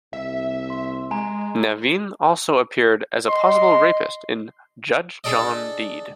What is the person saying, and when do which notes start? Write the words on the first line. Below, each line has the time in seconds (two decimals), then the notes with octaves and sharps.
Navin also appeared as a possible rapist in "Judge John Deed".
0.13 C2 E5
0.70 C6
1.11 G#3 G#5 A#5
3.28 D#5 C6
5.24 D4 G#4 A4 D5 D#5